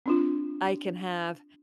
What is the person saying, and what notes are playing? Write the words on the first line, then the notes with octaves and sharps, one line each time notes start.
I can have
C4 D4 F4